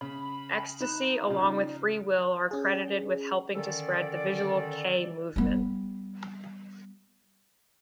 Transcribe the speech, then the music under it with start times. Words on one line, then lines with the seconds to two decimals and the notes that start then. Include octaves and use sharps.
Extasy along with Free-Will are credited with helping to spread the visual kei movement.
0.01 C#3 B5
0.80 D#4 B5 F#6 E7
1.27 C#3 F3
2.51 C#4 G#4
3.54 D3 D#3 C#4 A4 D5
5.36 G3 B3